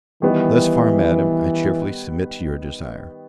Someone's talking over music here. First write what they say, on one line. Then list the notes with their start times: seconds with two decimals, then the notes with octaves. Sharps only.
Thus far, Madam, I cheerfully submit to your desire.
0.22 D#3 E3 G3 B3 D#4